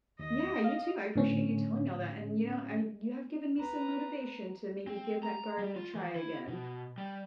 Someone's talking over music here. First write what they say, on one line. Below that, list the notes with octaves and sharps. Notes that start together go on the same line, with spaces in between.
Yeah, you too. I appreciate you telling me all that. And you know, I you have given me some motivation to maybe give that garden a try again.
D#2 D#5
F5
A2 D3 C#4
B4 A#5
C4
A#5
G3
F4
E3
E4
B2
G3